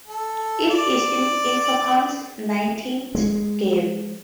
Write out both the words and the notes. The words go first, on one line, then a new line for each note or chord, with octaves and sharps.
It is Infocom's nineteenth game.
A4
D5
G#3